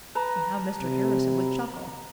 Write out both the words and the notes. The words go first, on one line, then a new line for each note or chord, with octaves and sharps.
And how Mr. Harrison would chuckle!
B4 A5 A#5
C3